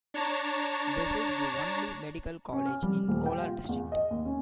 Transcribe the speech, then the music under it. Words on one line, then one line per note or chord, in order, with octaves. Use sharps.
This is the only medical college in Kolar district.
D4 C#5 A5 A#5
C#4
F6
G3
D#1
G5
F4
E2
D#5
D#2
C#4